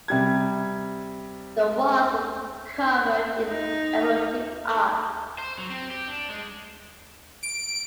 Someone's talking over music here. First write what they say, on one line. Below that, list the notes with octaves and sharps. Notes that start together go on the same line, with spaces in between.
The walls were covered in erotic art.
C3 G3 G#6
D#4
C5
F#3
C4
G4
D4
G#3
D7